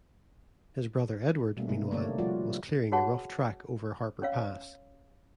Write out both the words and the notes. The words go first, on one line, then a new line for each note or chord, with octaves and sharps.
His brother Edward, meanwhile, was clearing a rough track over Harper Pass.
B2 G3 A3 A#3 C#4
C3 D#4
D3 A3 A#3 D4 C#5 D5
F3 G3 F4 F#4 D5
F#4 G#4 C#5 F#5 A5 C#6
C#4 C#5 F5